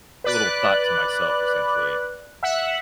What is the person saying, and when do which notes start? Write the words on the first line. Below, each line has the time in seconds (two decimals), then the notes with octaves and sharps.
a little thought to myself, essentially.
0.24 B4 D5 F#6
2.43 E5 F#5